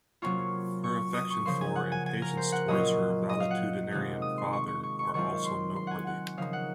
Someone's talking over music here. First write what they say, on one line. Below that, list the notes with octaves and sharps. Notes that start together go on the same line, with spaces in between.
Her affection for and patience towards her valetudinarian father are also noteworthy.
C3 F#3 A#3 C#4 F4 C#6
C#6
D#6
C#6
C#3 F3 A#3 C6
G#5
F#5
G#5
G#5
A#4
C5
F#5
A#2 F#3 A#3 C#4 F4 D#5
D#5
F5
F#5
C3 D#3 G#3 D#4
D#6
C6
C#6
C#6
C#6
C#6
D#3 F#3 C4 F4 C#6
C6
C6
F#5 G#5
F#5
C#3 F3 A#3 D#4 F5
F#5